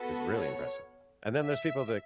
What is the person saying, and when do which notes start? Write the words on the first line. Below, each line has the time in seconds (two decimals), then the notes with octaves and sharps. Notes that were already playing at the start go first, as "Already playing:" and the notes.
is really impressive. And then there's people that,
Already playing: B3 F#4 A4
0.37 C#5
1.43 E5